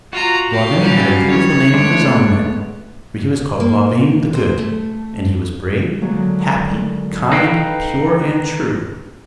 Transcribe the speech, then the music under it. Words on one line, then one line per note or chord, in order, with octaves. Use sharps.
Gauvain had a beautiful name of his own then, for he was called "Gauvain the Good"; and he was brave, happy, kind, pure, and true.
F4 F#4 A#5
G4 F5
F#3 G3 C#4
C#5
G#3 A3 B3 D4
A#3
C5
A3
D3 D#3 F#3 G#3 A#3
D#4 A4 B4 F5 G5